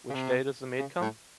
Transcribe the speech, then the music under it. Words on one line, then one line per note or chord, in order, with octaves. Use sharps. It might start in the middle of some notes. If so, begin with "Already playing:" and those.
Which day does the maid come?
C#3
C3
C#3
A2